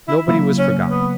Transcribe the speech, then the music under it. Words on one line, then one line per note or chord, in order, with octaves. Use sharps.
Nobody was forgotten.
E4
C#3 F#3 A#3 E4
C#4
B3